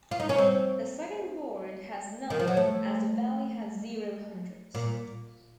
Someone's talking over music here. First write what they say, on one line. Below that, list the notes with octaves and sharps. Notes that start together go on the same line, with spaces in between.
The second board has none, as the value has zero hundreds.
F4
D#4
C#4
C4
D#3
F3
F#3
A3
A#2